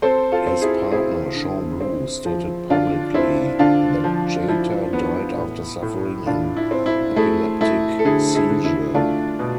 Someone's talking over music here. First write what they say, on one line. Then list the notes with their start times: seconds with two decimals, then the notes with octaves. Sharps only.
His partner, Sean Blue, stated publicly that Jeter died after suffering an epileptic seizure.
0.02 C4 A4 C5
0.32 F4 A4
0.47 C4
0.61 E4 G#4
0.91 C4 E4 G#4
1.36 D3
1.81 C4
2.25 F3
2.70 D3 D4 F4
3.14 C4 E4
3.59 D3 D4 F4
4.04 F3
4.48 F3 E4
4.93 B3
5.37 A2
5.82 A2
6.26 A2 D4 F4
6.57 E4
6.71 C4
6.86 E4
7.16 A3 E4 G#4
7.61 A3 E4
7.99 A4
8.05 D3 E4 G#4
8.35 E4 G#4
8.50 D3
8.64 E4
8.94 A3 D4 F4
9.39 B2